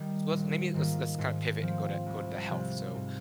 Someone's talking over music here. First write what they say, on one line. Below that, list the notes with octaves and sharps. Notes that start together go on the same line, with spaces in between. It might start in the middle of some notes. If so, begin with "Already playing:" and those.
So, let's lemme let's let's kinda pivot and go to go to the health. So,
Already playing: D#3 G3
A#1
G#2 D#3 A#3
G#2
F3 C4
C2
C3 F3 C4
G#2